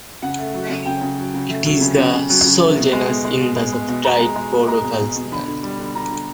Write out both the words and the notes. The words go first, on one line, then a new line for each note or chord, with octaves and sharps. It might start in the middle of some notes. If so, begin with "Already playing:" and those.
It is the sole genus in the subtribe Podocalycinae.
C#3 F#5
A3
F#3
C#3
C#3 G5
C#3
F#3
C#3
A3
F#3
C#3
C#3
C#3
F#3
C#3
A3
B2
G#3
B2
G#3
B2
G#3
G#3
B2
B2 A#5
G#3
G#3
B2
G#3 A#5
B2
B2
B2
D3 B5
D3
G3
D3
D3 A#5
D3